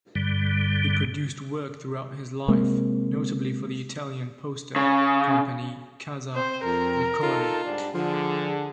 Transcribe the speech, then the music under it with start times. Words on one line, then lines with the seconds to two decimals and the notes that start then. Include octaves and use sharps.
He produced work throughout his life, notably for the Italian poster company Casa Ricordi.
0.15 G2 D3 G3
2.48 C3 G#3 A#3 C4
4.76 C#3
6.35 C4 C5
6.65 F2 A#4
7.22 D#4 F4 A4
7.64 G#2 G3 D4
7.95 D3 F3 G#4